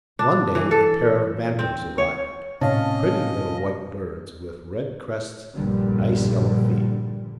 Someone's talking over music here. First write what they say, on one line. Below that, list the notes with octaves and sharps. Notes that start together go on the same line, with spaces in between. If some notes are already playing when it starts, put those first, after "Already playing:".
One day, a pair of bantams arrived,--pretty little white birds, with red crests and nice yellow feet.
D4
E3
A4
C4
C#5
A2 C3 C#4 C#5 D#5 F5 A5
A#1 G2 A#2 D3 G3